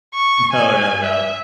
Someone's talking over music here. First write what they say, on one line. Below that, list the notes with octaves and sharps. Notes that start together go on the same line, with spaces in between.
no, no, no.
C#6
G#5
E5